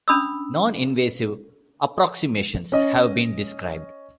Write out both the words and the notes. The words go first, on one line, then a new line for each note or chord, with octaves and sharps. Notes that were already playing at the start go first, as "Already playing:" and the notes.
Noninvasive approximations have been described.
C#4 D4 B5 D#6 E6
C#4 D#5